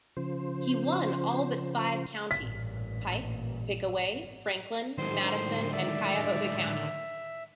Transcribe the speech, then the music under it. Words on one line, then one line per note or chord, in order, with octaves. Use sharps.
He won all but five counties: Pike, Pickaway, Franklin, Madison, and Cuyahoga counties.
C#3 F3 C5
A1 G2 A#2 B6
A2 D3 D#3 F#3 G#3 C5
D5 E5